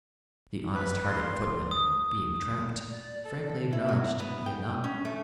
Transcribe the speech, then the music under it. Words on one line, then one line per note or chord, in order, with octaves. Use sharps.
The honest-hearted footman, being trapped, frankly acknowledged he had not.
B4
C6
D#6
D5
A4
E4
F#3
B3
G5
C#4
A3